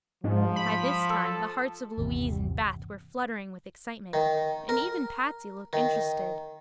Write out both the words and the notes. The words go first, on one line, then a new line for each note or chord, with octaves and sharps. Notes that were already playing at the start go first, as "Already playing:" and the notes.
By this time the hearts of Louise and Beth were fluttering with excitement, and even Patsy looked interested.
G#2 F3
B5
A4
G1 D#2 C3 E3
D#3
A#4
D#3